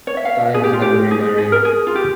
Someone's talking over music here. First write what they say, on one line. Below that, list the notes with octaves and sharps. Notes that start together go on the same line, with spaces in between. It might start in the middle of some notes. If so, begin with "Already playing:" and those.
Stein has never remarried.
C#5
E5
F5
G#4
G4
F4
G4
G#4
G#4
A#4
G#4
F4
G4